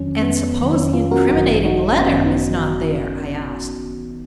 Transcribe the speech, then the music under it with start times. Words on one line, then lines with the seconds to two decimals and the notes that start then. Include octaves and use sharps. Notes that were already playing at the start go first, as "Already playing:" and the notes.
"And suppose the incriminating letter is not there?" I asked.
Already playing: F2 D#3 F#3 C#4
0.22 B3
0.58 F2 D#3 F#3
0.76 C#4
0.93 C#4 F4
1.11 F#4 A#4
1.29 G#1 F#2 D#3 F#3 D#4 F#4
1.65 D#4 F#4
1.92 C#4
2.01 G#1 F#2 D#3 F#3 B3 D#4
2.25 B3 D#4